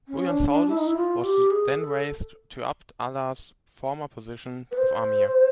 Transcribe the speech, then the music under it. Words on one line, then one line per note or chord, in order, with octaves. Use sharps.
Buyan Suldus was then raised to 'Abd Allah's former position of amir.
C#4
D4
D4
E4
D#4
E4
F4
G4
G#4
A4
B4
C5